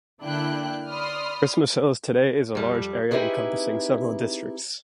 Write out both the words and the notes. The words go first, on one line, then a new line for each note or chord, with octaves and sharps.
Christmas Hills today is a large area encompassing several districts.
D3 A#3 D4 E4 G5 F#6
D5 B5 C6 D#6 F6
F2 G3
C4 D#4 E4 G4 G#4 B4